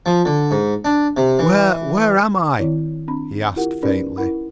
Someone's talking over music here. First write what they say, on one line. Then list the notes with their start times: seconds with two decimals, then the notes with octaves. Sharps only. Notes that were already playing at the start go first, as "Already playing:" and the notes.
"Where--where am I?" he asked faintly.
0.06 F3
0.25 D3
0.51 G#2
0.85 D4
1.17 C3
1.39 E3
2.57 D#3 C4 E4 C#5 D5
3.08 C4 D4 B5
3.56 E4 F4 G4 A#4 F#5
3.83 C#4 D#4 G4 A#4 B4 D5
4.17 E4 A#4 F#5 B5